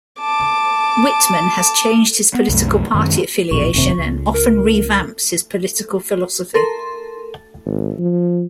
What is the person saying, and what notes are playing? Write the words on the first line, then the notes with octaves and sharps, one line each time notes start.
Wittmann has changed his political party affiliation and often revamps his political philosophy.
A5 D6
B3
C2 F#2 A3
F#2 D#3 G#3 C4
A#1 E2 B2 C#6
F1 D#2 C3
C#2
A#4
A4 A#4 C6
G#1
F3